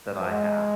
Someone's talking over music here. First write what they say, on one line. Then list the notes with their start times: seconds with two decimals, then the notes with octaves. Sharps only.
that I have
0.21 F3
0.27 G#3